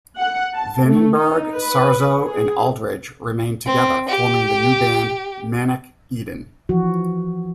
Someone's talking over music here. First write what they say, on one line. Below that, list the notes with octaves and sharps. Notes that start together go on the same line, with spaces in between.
Vandenberg, Sarzo, and Aldridge remained together, forming the new band Manic Eden.
F#5
A5
A3
D#4
B4
G#4
C4
G4
E3 F3 F#4